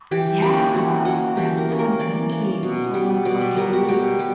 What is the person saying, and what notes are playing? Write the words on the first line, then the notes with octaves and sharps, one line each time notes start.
Yeah, that's what I'm thinking. That's why I'm like, "Okay."
E3 G4
A#3 C#4 G4
E3 F#4
A#3 C#4 F#4
E3 G4
A#4
A#3 C#4
A#4
E3 D5
A#3 C#4
B2
G3 B3
B2 D5
B4
G3 B3 A#4
F#4
B2 G4
G3